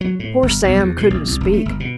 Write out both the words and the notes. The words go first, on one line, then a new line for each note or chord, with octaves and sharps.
Poor Sam couldn't speak.
F#3
A2
G1
B1
E2
B2
A#1
C2
F1
A3
G1
B2